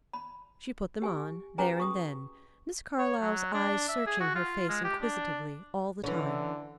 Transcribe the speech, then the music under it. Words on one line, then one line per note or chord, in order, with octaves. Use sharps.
She put them on, there and then, Miss Carlyle's eyes searching her face inquisitively all the time.
B5
G4 G#5
C#4 F#4 G#4 B4 G#5 A#5
C#6 D#6
C#5
F#3
D4
E5
G#4
F#4
F4
G#3
G4
D4
D3 E3 C#4